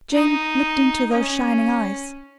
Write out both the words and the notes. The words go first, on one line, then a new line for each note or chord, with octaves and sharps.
Jane looked into those shining eyes.
D#4
C#4